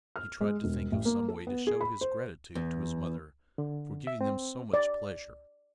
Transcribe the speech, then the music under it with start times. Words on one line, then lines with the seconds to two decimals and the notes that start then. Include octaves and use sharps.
He tried to think of some way to show his gratitude to his mother for giving them so much pleasure.
0.16 F6
0.41 G#3
0.64 E1
0.92 A1
1.05 A#3
1.28 A4
1.47 B3
1.67 G#4
1.81 B5
2.01 C5
2.55 E2
3.58 D3
4.07 E5
4.21 C4
4.74 D5